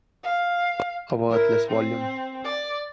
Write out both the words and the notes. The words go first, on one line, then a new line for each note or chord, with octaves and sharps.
A worthless volume!
F5
E4 A#4
C4
D5